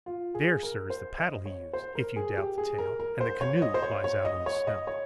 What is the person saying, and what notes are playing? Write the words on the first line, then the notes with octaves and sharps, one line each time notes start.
There, sir, is the paddle he used, if you doubt the tale, and the canoe lies out in the snow.
F4
G#4
A#4
C5
D#5
C#5
C5
A#4
G#4
G4
G#4
A#4
A#4
C5
C#5
D#5
C5
C#5
C#5
D#5
C#5
D#5
C#5